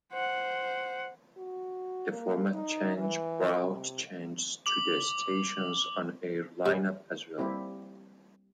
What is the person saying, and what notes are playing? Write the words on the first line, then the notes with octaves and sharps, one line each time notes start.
The format change brought changes to the station's on-air lineup as well.
C5 F#5
F#4
A#3
D#4
E3
C3
D6 F#7
G3
G3 A#3 C4 E4 G4